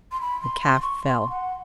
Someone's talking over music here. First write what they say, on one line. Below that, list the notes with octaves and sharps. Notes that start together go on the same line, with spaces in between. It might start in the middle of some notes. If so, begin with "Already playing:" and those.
The calf fell.
C6
B5
C6
C6
C#6
C6
F#5